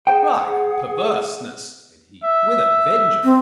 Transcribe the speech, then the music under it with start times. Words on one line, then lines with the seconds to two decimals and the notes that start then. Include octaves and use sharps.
Pride and perverseness, said he, with a vengeance!
0.07 G#4 C5 F#5 G5
2.23 E5
3.24 C4